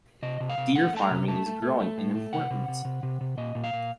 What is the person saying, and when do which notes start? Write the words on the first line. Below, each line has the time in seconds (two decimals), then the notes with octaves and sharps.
Deer farming is growing in importance.
0.23 C3 D#5
0.40 C3
0.49 F5
0.58 C3
0.75 A3 F#5
0.93 A3 A5
1.02 A#5
1.11 C3
1.28 A3 A5
1.46 A3
1.62 A3
1.80 A3
1.98 A2
2.15 A3
2.33 C3 F#5
2.51 C3
2.68 C3
2.85 C3
3.03 C3
3.21 C3
3.37 A#2 D#5
3.55 A#2
3.64 F5
3.73 A#2